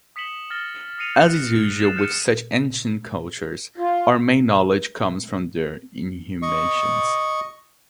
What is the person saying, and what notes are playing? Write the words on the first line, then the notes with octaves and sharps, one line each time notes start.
As is usual with such ancient cultures, our main knowledge comes from their inhumations.
D#6 B6 C#7 E7 F#7 G7
F6 A6 A#6 F#7 G7
D#6 A#6 C7 C#7 D#7 F7
F#6 G6
A6 C7 C#7 E7
F6 G6 C#7 D#7
F4
D#5 C#6